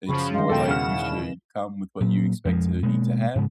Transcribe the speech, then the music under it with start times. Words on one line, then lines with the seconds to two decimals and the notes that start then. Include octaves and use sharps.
It's more like you should come with what you expect to need to have,
0.09 F#2 C#3 F3 B5 C#6
0.34 D#3 G#3 D#5 F5 C6
0.50 E2 B2 A4 G5 E7
0.68 C#3 F#5 F6
2.01 A#2 F#3
2.45 F2 F3 G#3
2.83 B2 G#3 A#3
3.35 G#2 C#3 F#3 G#3